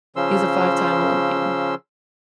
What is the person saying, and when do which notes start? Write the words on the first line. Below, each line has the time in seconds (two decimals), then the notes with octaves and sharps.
He is a five-time Olympian.
0.16 C#3 F3 C#4 C6 E6